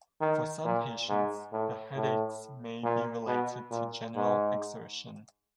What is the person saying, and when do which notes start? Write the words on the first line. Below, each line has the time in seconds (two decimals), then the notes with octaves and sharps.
For some patients, the headaches may be related to general exertion.
0.21 D#3
0.65 A#2
1.09 G#2
1.52 A2
1.96 A2
2.84 A#2
3.27 B2
3.71 A#2
4.16 G#2